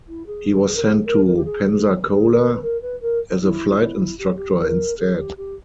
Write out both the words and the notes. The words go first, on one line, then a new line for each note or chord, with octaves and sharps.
He was sent to Pensacola as a flight instructor instead.
E4
G#4
G#4
A#4
G#4
A#4
A#4
G4
G#4
G#4
G#4
A#4
B4
A#4
B4
A#4
E4
E4
G4
G#4
G4
A#4
G#4
G4
G4